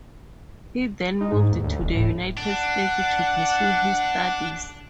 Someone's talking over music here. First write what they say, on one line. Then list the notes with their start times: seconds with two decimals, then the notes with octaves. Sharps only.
He then moved to the United States to pursue his studies.
1.21 D#4
1.32 G#2
1.52 D#2
1.63 D2
1.81 D#1
1.95 A2
2.37 D4 F#5